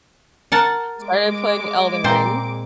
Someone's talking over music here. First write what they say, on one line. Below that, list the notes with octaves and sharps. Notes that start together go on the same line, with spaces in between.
Started playing Elden Ring,
A#4 F#5 A5
G#3 D6
A#2 C4 C5